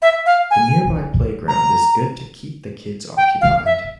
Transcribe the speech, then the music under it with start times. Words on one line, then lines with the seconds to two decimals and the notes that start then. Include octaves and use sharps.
The nearby playground is good to keep the kids occupied.
0.02 E5
0.26 F5
0.51 G#5
1.48 A#5
3.17 G5
3.41 F5
3.66 E5